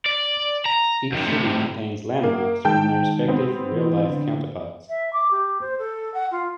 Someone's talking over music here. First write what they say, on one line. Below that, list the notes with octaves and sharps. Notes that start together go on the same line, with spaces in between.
Each city contains landmarks from their respective real life counterparts.
D5
A#5
F#2 D#3
A2 C3
A#3
D#3 G#3 G5 A5 G6
B3 C4
E3
D3
E5
D6
G4
C5
A4
F#5
F4